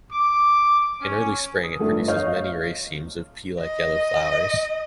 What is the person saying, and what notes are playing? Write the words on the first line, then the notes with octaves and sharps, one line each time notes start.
In early spring it produces many racemes of pea-like yellow flowers.
D6
C#4
D#6
G1 A3 D4 F4
C#5 D#5 F5 F6 G6
D#5